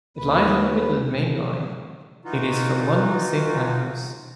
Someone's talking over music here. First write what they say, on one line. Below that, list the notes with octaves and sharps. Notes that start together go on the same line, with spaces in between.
It lies on the Midland Main Line, it is from London Saint Pancras.
D#2 B4
E3 D#4 F4 F#4